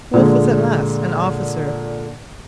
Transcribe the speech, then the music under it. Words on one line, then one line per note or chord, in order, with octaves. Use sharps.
Wolfe was at last an officer.
A#2 D3 G#3